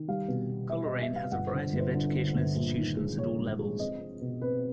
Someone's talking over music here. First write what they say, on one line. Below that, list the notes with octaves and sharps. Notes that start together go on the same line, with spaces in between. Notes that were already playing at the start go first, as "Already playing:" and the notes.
Coleraine has a variety of educational institutions at all levels.
Already playing: D#3
G3 F5
B2
B3
B3 E5
D#5
B2
E5
G3
F5
G1 F#5
C5
D3
G1
C5
D3
D3
G1
A#1
D#3
G#3
A#1 C#5
G#2
G#3
C4 D#5
C4
B2
C4 B4